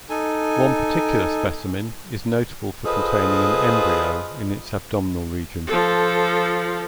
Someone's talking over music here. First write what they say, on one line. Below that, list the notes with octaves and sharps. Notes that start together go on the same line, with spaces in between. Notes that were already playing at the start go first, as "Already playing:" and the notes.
One particular specimen is notable for containing an embryo in its abdominal region.
D#4 A4 G#5
F4 G#4 A4 B4 C5 D#5
F3 A4